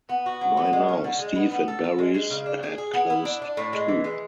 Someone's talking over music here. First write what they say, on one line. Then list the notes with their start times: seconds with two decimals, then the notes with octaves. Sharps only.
By now, Steve and Barry's had closed too.
0.09 B3
0.26 F#4
0.41 F#3
0.57 B3
0.73 G#3
0.89 C#4
1.04 D3
1.20 G#3
1.36 B3
1.51 B3
1.68 A4
1.84 A4
1.99 G#3
2.14 G#3
2.30 C#3
2.46 D4
2.63 G#4
2.78 G#4
2.94 B3
3.10 E4
3.25 D4
3.42 D4
3.57 A2
3.73 G#3
3.88 E3
4.04 G#3